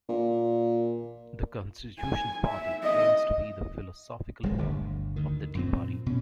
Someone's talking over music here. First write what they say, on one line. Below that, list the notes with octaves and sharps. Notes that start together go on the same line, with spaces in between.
The Constitution Party claims to be the "philosophical home" of the Tea Party.
A#2
G#5
E5
D#5
D#1 G3 G#3
G1 D2
D2 D#3
F#2 A#2 C4
B2 C#4